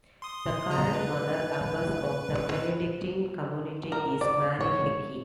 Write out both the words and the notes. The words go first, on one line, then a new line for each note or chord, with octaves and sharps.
The current Mother Abbess of the Benedictine Community is Marie Hickey.
C6 D#6
C#3 D#5 A#5
B4
A#4
D5
C#5